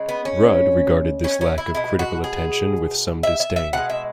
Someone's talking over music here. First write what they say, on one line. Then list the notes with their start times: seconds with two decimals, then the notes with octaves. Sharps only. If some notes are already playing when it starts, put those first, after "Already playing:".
Rudd regarded this lack of critical attention with some disdain.
Already playing: C#3 G#3
0.09 B3
0.25 C#4
1.24 C#4
1.41 C#4
1.58 E4
1.74 B2 G#3 E4
1.99 F#4
2.24 G#4
3.23 E5
3.40 E5
3.56 E5
3.73 B2 G#3 F#5
3.90 E5